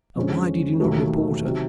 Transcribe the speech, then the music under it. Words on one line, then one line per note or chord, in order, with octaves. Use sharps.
"And why did you not report her?"
F2 D3 F3 G#3 C#4
E1 D#2 D#3 F#3 A3
C3 D#3 F#3